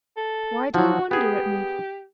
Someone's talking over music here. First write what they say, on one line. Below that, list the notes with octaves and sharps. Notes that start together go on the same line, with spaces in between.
Why do you wonder at me?
A4
F3 F#3 F#4
B3 G4 G#4